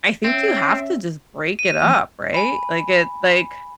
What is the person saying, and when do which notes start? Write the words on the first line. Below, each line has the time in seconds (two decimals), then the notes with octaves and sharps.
I think you have to just break it up, right? Like, the like,
0.24 C4 C#4 E5
1.59 D#7
1.83 E3 F3 A#3
2.34 G#5 B5